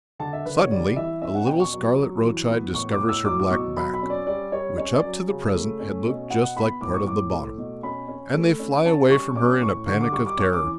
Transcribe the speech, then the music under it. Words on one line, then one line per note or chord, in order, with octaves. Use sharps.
Suddenly a little scarlet roach-eye discovers her black back, which up to the present had looked just like part of the bottom, and they fly away from her in a panic of terror.
D3 A5
E5
D3 B4
C#5
G3 D5
E3 E5
C#4 E5
F#5
B2 G5
C#6
F#3
F#3
E3
B3
A2 C#6
D6
A2
E6
F#3 D6
D6
B2 C#6
F#3 B5
B5
C#4
D5
G3 D5
G3 C#5
C#4 C#5
D5
F#3
C#3
A3
C#4
B2
B3 F#5
B3 B5
A2 D6
C#6
A2 D6
A3
B2
C#4 B5
C#4
A3
C#4
C#4 A5
G3 C#6
C#4 D6
A2 C#6
D3 C#6
D6
G3 C#6
D6
C#4 C#6
D6
E3